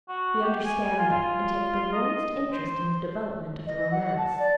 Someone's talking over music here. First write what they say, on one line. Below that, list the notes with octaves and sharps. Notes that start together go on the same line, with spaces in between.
We understand them, and take the warmest interest in the development of the romance.
F#4
G4
G#5
F4
F4
D#5
C5
D#5
F#5
A5
D5